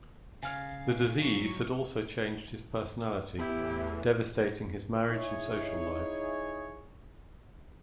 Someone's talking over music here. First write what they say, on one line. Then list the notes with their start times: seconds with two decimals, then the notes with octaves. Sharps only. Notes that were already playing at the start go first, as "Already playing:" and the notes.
The disease had also changed his personality, devastating his marriage and social life.
0.43 C#3 F5 G#5 F6
1.22 F#3 C#6
3.38 E2 A2 E3 B3 E4 G4
5.07 D#4 E4 G#4 C#5